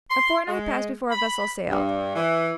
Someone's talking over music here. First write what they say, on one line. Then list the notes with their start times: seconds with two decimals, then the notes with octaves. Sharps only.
A fortnight passed before a vessel sailed.
0.10 C6
0.49 G#3
1.10 B5
1.69 G2
2.15 E3